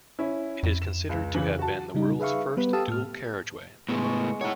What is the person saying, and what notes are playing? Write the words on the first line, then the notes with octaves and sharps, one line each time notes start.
It is considered to have been the world's first dual carriageway.
C#4 E4
F2
E7
C#2
C#3 E3 F#7
F#4 A5
C#3 G3 D#4
G#4 B4 E5 F5 C#6
G3 B3 B4
G4 A4 F5 A5 D#6 E6
A2 F6
A2 G#3 B3 C#5
C#5 C#6
D#4 E4 F#4 C#5